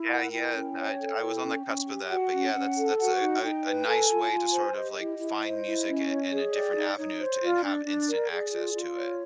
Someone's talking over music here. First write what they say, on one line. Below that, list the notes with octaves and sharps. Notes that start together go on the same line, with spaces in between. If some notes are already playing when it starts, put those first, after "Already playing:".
Yeah, yeah, I j I was on the cusp of that, but yeah, that's that's a a a nice way to sort of, like, find music i in a different avenue to, and have instant access to it.
Already playing: E4
A#4 F#5
E4 G5
C#4
C#5
A4
E4
C#4
C#4
G4
F#4 F#5
C#4
C#4
A4
F#4 F#5
D#4
D#4 G5
B4
A4 G#5
F4
F4
C5
G4 D#5
E4
E4
C5
E4
C#4
C#5
G#4
G4 D5
D#4
D#4 C#5
C5
F4 D5
D4
D4
A#4
G#4
F4
F4
C#5